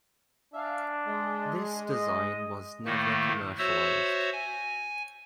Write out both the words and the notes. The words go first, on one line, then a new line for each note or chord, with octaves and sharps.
This design was never commercialized.
D4 E5 F5 G#5
G#3
D#5
A2 D#3 A3 A#3
F#4 C5 C#5 E5 E6
G#5